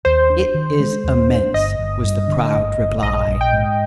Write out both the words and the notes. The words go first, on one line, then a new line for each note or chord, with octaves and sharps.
"It is immense," was the proud reply.
D#2 C5
D4
D#3
G#3
D#2
D4
G1 D#5
G1
G2
D3
G1
G1
A#1 D#5
A#1
G5
G#2